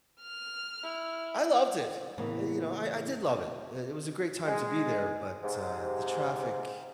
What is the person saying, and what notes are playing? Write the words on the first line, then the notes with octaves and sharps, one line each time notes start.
I loved it. You know, I I did love it, i it was a great time to be there but, uh, the traffic,
F6
E4
A2 C#3 E3 A#3 B3
G#3
G#2 C3